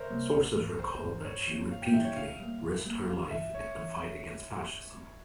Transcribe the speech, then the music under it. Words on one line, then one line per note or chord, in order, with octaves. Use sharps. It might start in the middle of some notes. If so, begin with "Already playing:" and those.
Sources recall that she repeatedly risked her life in the fight against fascism.
Already playing: A#4 C5 C#5 E5
C3 G3 A#3
A#1
E3
G#2
A#1 C5
G#2 E3
G2 C#5
E3 A#3 E4 G4
G2 F5
G5
E3 A#3 E4 G4 E5
C#5
A#2 F5
G3 A#3
A#2
G3 A#3
G#1 F5
G2 E3 E5
G#1 C#5
E3